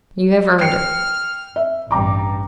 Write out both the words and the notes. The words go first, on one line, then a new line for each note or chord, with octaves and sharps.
You have earned it.
G5 F6 C7 C#7
E5
A1 G2 G5 A#5 D6